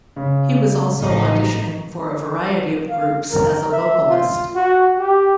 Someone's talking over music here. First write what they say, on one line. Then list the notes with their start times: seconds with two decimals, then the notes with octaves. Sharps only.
He was also auditioning for a variety of groups as a vocalist.
0.16 C#3
0.96 A1 F3 D#4
2.90 F5
3.31 A#4
3.72 E5
4.09 F4
4.56 F#4
4.98 G4